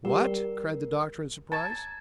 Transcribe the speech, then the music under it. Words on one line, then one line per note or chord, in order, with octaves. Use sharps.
"What?" cried the doctor in surprise.
G3 A#4
A5 A#5 G#6